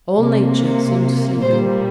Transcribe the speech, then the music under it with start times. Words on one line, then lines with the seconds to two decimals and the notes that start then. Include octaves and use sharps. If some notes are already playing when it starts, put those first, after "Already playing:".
All nature seemed sleeping.
0.16 C3 A#3
1.42 A#2 G3 A#3 C5